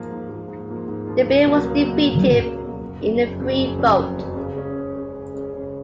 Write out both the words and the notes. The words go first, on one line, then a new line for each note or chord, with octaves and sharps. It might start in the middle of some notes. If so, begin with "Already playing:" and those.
The bill was defeated in a free vote.
Already playing: G#2 F3 A#3 F4
G#2
F3 A#3 F4
G#2
F3 A#3 F4
G#2
F3 A#3 F4
C#2
B2 F#3 A#3
C#2
B2 F#3 A#3
C#2
B2 F#3 A#3
C#2
B2 F#3 A#3
F#1
F2 C#3 F#3
F#1
F2 C#3 F#3
F#1
F2 C#3 F#3
F#1
F2 C#3 F#3
C#3
G#3 C#4 G#4
C#3
G#3 C#4 G#4
C#3
G#3 C#4 G#4
C#3